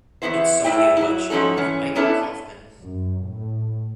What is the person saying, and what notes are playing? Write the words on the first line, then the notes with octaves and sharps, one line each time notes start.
It saw the election of Mike Coffman.
E2 C#3 B3 E4 C5
A2 E4 E5 G5
F#3 E4
G#2 F3 C#4 F#4 A4
E3 C#4
B3 C#4 D4 E4 A4
F#2
A2